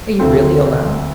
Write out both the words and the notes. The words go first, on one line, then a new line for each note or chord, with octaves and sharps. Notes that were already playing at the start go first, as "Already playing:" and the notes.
Are you really alone?
D2 D3 A3 C4 F4